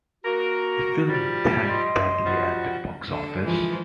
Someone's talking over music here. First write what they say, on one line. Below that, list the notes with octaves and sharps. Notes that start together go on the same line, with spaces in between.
The film tanked badly at the box office.
A#3 F#4 A#4
F3 G3
D#5 C6
F3 G3 F#4
D3 A4
E3 F3 G#3